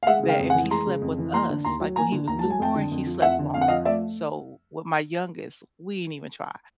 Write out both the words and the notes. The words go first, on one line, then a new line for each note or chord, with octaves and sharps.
that if he slept with us, like, when he was newborn, he slept longer. So, with my youngest, we didn't even try.
F5
G#3 E5 F#5
C#3
F5 G5
F2
F#5 G#5
E3
G#3 A#5 C6
C#3
F2
E3
A#3 A#5 C6
D3
D#2 A#5 C6
F#3
A#3 G#5 A#5
D3
D#2 A#5
F#3 A5
G#5
F2 G5 A5
D3
F2
F3
F2 E5 F#5
D3
F2 F5
F#5
F3 D#5 F5
A3 D5 E5